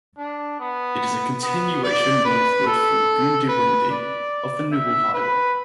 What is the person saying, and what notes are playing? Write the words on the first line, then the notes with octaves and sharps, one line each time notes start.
It is a continuation northward from Goondiwindi of the Newell Highway.
D4
B3
B3
D5
B4
A4
B4
D5
E5
B4